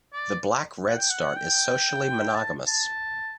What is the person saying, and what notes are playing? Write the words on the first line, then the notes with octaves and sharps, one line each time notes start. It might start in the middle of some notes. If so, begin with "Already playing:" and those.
The black redstart is socially monogamous.
D5
F#5
G5
F#5
G5
A5
A5